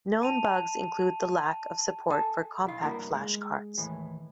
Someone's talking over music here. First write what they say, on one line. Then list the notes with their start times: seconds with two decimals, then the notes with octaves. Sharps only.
Known bugs include the lack of support for CompactFlash cards.
0.22 A5 D#7 F7
2.11 A4 G#5 A5
2.65 B1 E4 F5
2.82 G2 A#3 E4 F#4 A#4
3.15 G#3
3.78 D#2 A2 E3